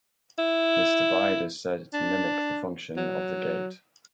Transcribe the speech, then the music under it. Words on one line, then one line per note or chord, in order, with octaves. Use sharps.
This divide is said to mimic the function of the gate.
E4
D4
F#3